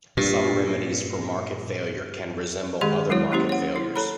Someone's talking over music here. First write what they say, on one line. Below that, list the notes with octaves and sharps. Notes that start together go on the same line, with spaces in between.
Some remedies for market failure can resemble other market failures.
G2 A#2
D#3 G#3 G4 G#4 D#5 C6
F#3 G#3 E4 F#4 C#5
A#3 C#4 E4 G4 C5
C#5 F#5
E4
A4 C#5 A#5 B5